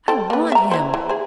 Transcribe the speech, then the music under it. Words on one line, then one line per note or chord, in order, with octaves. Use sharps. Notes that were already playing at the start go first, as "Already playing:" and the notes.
I want him.
C4 A4
A#3 B4
E5 A#5
E3 E4 C5
E3
G#4 C5